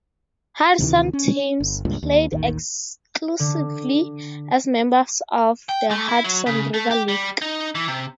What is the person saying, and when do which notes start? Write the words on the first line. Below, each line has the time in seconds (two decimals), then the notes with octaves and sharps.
Hudson teams played exclusively as members of the Hudson River League.
0.80 D2 C3 D#3 E3
1.13 C#4
1.60 G1
1.85 C#2 G2 A#2
2.03 D#2
2.32 A1 D#2 D#3
3.40 D3
5.69 G5
5.91 A3
6.08 E4
6.24 F#3
6.46 C#3
6.74 A3
6.91 G4
7.08 G3
7.42 D#4
7.75 E3
7.88 C3